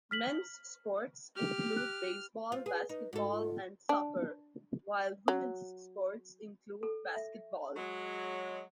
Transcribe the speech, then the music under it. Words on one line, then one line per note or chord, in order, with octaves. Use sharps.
Men's sports include baseball, basketball and soccer; while women's sports include basketball.
F6 B6 F#7
G4 F6
F#6
F4 C5
G#4 B4
D#4 B4
G#2 F#4 A4
F4
D4
F#3
A4
E5
F#3 G#3